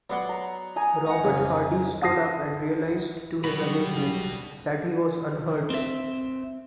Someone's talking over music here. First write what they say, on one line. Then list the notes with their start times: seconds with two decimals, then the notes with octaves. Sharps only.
Robert Hardy stood up and realised to his amazement that he was unhurt.
0.10 F#3 B3 D5 F#5 C6
0.29 A#5
0.76 G#5 A#5 D#6
1.05 D#4 F#5
1.24 F2 C#3
2.02 F#5 A5 D#6 A#6 C7
3.44 B2 F#3 G3 F#4 B5
5.70 C4 E5